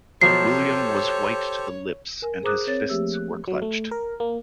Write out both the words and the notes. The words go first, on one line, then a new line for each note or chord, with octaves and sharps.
William was white to the lips, and his fists were clenched.
B2 F3 F#3 G4 A4 C5 C#5 C7
A#4 G#5
G#4 C5 A#5 D6 D#6 F#6
C4 A#4 C#5 A6
F3 A3 A#3 G4 E5 E6
F#6
F#3
A3
A#4
A#3